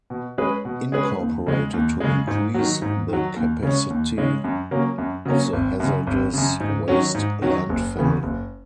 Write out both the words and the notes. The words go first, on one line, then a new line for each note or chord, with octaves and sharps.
Incorporated to increase the capacity of the hazardous waste landfill.
B2
G#3 C#4 G#4 B4
B2
G#3 C#4 G#4 B4
D#2
C#3 G#3
D#2
C#3 G#3
G#2
D#3 F#3
G#2
D#3 F#3
D#2
C#3 G#3 C#4
D#2
C#3 G#3 C#4
F#2
C#3 F#3 A#3 C#4
F#2
C#3 F#3 A#3 C#4
G#1
F#2 C#3
G#1
F#2 C#3
G#2
D#3 F#3 C#4
G#2
D#3 F#3 C#4
F#1
E2 C#3 E3 B3
F#1